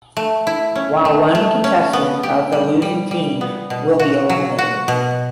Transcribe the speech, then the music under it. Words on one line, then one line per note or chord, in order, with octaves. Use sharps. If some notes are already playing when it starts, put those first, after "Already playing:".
While one contestant of the losing team will be eliminated.
A3
E4
C#4
A3
A3
C#4
B3
G4
G3
G3
G3
B3
B2
F#4
F#3
F#4
B2